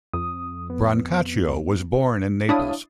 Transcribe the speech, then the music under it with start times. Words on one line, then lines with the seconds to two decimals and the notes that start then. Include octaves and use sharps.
Brancaccio was born in Naples.
0.14 F2 D#6
0.70 B3
2.49 D4 E4 C#5 F5 A5 D#6